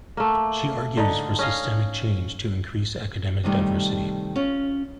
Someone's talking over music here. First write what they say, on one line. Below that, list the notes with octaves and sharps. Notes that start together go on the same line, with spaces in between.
She argues for systemic change to increase academic diversity.
A3 A#3
D3 D#4
C#4 D#5 F5
C3 D#3 G3 A3
C#4 F4